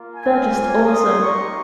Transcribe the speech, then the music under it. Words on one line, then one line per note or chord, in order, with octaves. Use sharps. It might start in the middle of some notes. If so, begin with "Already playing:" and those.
They're just awesome.
Already playing: A#3 F4
F5 G#5
A#3 C#4 F4
C6 D#6
A#3 D#4 G4 A#5 C#6